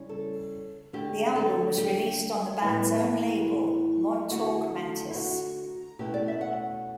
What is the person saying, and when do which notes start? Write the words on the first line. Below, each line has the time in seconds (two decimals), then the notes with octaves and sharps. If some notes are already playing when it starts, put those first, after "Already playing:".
The album was released on the band's own label, Montauk Mantis.
Already playing: C#3 G3 C#4 E4
0.09 A4
0.93 D3 A3 D4 G4
1.36 A4
1.78 G4
2.62 A2 E3 B3 E4
4.30 D3 A3 E4 F#4
5.10 E4
5.15 F#4
5.99 B2 A3 C#4 E4 G4
6.14 D5
6.28 E5
6.41 F#5